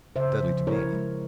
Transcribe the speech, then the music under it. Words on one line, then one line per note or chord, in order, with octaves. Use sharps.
Deadly to me!
C#3 C5 E5
F3
E4 A#4 C#5
G#3